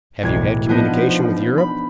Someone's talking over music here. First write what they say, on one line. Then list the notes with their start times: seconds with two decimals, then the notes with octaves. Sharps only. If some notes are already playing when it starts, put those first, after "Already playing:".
Have you had communications with Europe?
0.23 E1 B1 A2 G#6
0.69 F3 B3 D4 D#4
1.58 B5